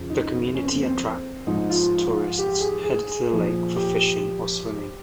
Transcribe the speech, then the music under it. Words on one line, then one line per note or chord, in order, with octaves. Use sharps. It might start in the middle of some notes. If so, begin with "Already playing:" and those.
The community attracts tourists headed to the lake for fishing or swimming.
Already playing: F2 C#3 F3
D#4
C#4
C4
A#3
C4
G#2 F3 D#4
F4
G4
G#4
G#4
A#2 F3
G4